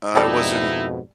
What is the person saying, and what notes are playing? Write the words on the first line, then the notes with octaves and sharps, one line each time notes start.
I wasn't
F2 G#2 B2 G3 D#4 E4 A4 D5